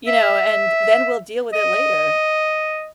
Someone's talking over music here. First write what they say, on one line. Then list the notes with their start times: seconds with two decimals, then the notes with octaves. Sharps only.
you know, and then we'll deal with it later.
0.07 E5
1.53 D#5